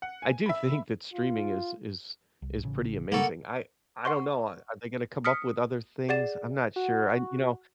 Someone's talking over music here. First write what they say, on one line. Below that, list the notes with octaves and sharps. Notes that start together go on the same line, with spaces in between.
I do think that streaming is is is pretty amazing, I I don't know, a are they gonna come up with other things? I'm not sure, I you know
F#5
G#5
E5 B5
F4
C2
A1 C#3
C#3 G3 G#3 A#3 A4 F#5 B5 C#6
F#5 C6 C#6
D#6 F6 B6 C#7
G#4 D5 F#5 A6 E7
F#4